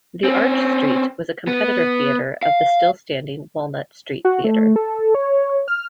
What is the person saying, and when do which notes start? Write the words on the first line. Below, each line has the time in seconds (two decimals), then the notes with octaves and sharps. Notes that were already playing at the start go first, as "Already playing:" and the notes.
The Arch Street was a competitor theatre of the still standing Walnut Street Theatre.
0.24 C4 C#4
1.48 B3
2.43 F5
4.25 F#4
4.44 A3
4.76 A4
5.15 C#5
5.68 F6